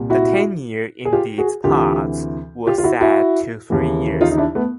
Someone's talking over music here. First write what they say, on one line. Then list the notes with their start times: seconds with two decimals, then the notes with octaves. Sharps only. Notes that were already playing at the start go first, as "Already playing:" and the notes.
The tenure in these parts was set to three years.
Already playing: C2 A#2
0.10 E4 F#4
1.05 G#4
1.13 F4 G4
1.38 F#4 G#4
1.64 D2 C3 E3 F4 G4
2.67 F4 G4
2.78 F4
2.84 E4 F#4
3.01 E4 F#4
3.70 D#2 C#3 E3
4.21 D#4 F4
4.31 D#4
4.37 D4 E4
4.55 A3 B3